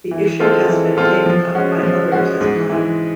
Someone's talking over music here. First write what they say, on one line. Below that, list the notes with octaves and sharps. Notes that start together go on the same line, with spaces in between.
The issue has been taken up by others as well.
E3
G#3 C4 F4 A4
E3
G#3 C4 F4 A4
F3
G#3 C#4 F#4
F3
G#3 C#4 F#4
G#2
E3 G#3